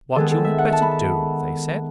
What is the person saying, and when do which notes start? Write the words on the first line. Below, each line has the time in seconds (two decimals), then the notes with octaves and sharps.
'What you had better do?' they said.
0.16 D#3 G#3 B3 A4
0.31 A4
0.45 E5
0.58 F#5
0.73 A5
0.82 B5
0.91 A5